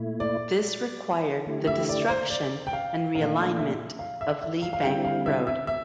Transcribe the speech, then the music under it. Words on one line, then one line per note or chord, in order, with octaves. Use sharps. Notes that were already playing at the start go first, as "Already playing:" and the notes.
This required the destruction and realignment of Lee Bank Road.
Already playing: A#2 A3 E4
D5
D3 A3 E4 G4
E5
D5
C5
D5
G5
F5
A#2 A3 D4 F5
E5
F5
E5
E5
F5
F5
D3 G3 C4 E4 G5
F5
E5
E5
E5